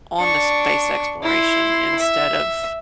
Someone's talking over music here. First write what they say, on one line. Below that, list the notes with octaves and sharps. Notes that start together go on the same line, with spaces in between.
on the space exploration instead of
D4 C#6
E4 C6
E5